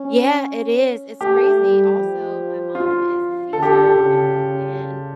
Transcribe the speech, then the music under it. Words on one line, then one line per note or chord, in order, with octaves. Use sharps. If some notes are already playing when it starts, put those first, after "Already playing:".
Yeah, it is, it's crazy. Also, my mom is a teacher, um, and
Already playing: C#4
A3 G4
G3
F3
F4
D3 A4
G4
A4
C#3